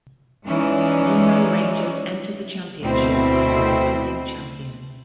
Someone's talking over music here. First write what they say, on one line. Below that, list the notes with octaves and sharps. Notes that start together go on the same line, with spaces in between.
Nemo Rangers entered the championship as the defending champions.
E3 G#3 C#4 D#4 D5
D2 B2 A3 C4 E4 C5